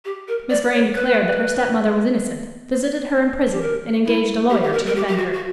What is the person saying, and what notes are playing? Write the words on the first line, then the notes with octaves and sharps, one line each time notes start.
Miss Vrain declared that her stepmother was innocent, visited her in prison, and engaged a lawyer to defend her.
G4
A#4
D5
C#5
B4
G4
A#4
E4
G4
G4
A#4
A#4
G4
G4
F#4
F#4